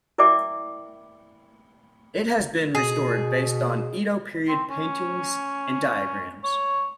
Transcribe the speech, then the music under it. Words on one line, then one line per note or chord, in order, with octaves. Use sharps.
It has been restored based on Edo-period paintings and diagrams.
E4 A#4 D5 E5 G5 D6
B2 G#4
C4
C#4
C#5